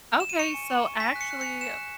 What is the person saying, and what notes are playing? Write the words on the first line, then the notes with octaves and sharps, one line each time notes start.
Okay, so, actually,
E7
D#7
C#6 C#7
G#5
C#6
C#6
G#5 B6
F#6
C#7
F#6
C#7
G#5
G#5 E7
F#6